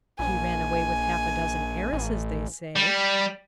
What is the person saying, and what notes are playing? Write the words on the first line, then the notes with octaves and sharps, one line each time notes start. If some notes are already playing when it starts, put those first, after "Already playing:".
He ran away with half-a-dozen heiresses, they say.
A#1 G#5
A1
G3